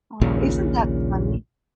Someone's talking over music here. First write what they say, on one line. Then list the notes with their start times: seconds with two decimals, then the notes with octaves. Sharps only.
Oh, isn't that funny?
0.21 A#1 D#2 A#2 C#3